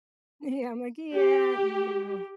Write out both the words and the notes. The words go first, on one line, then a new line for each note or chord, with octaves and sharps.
Yeah, I'm like "Yeah, no,"
G4